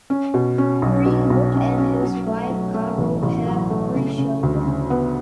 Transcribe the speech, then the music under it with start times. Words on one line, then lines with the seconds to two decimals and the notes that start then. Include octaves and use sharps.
Greenwood and his wife Caro have three children.
0.10 C#4
0.34 B2
0.58 C#4
0.82 B1
1.06 B2
1.30 B1
1.54 C#4
1.78 C#4
2.02 F#3
2.26 A3
2.50 F#3
2.74 A3
2.98 A1
3.23 A1
3.47 F#3
3.70 A3
3.94 C#3
4.18 C#3
4.43 D2
4.66 C#3
4.90 B3